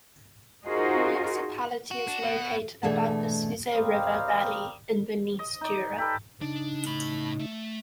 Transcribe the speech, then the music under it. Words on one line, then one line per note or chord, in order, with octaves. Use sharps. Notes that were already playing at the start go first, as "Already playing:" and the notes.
The municipality is located above the Suze river valley in the Bernese Jura.
D#4 F4 F#4 G#4 A#4 C5
F#4
D4
B2
B2 E3 A3 D4 G#4 A5
G3 C4 A#4 F5 D#6
D#5
D#4 D5
G4 A4 B4
C#3 D4 D#4
A2 B5
A3